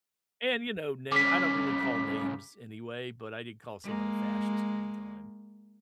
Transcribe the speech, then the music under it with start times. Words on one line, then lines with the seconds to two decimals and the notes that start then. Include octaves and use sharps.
and, you know, na I don't really call names anyway, but I did call someone a fascist one time,
1.12 C2 C#3 D6 B6
3.83 G#3 A#3